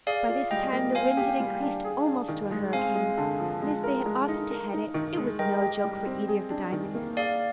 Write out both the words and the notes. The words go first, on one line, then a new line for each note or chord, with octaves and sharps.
By this time the wind had increased almost to a hurricane, and as they had often to head it, it was no joke for either of the Diamonds.
G#4 D5 F5
F4
G3 D#5 G5
A#3
C5 F5 G#5
G4
G3
D4
G#4
D4
D#3
G#3
C4 F5 G#5
G#3
D3
F3
G#3
A#4
G#3
D#4
A#4
D#4
D#3
G#3
A#4 D#5 G5
G4
G3
C4
G#4
D4
D#3
A#3
G#4 D5 F5